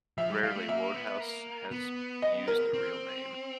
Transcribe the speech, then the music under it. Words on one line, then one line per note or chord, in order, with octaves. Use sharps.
Rarely, Wodehouse had used a real name.
F3 E5
G3
G3 F5
A3
A#3 E5
B3
A#3
B3
D#5
A#4
C4